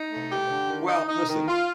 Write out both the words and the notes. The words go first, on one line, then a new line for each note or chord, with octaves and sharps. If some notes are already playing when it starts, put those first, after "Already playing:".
lord well, listen.
Already playing: D#4
A3
G4
D3
D#3
D#4
D#4
D#3
F4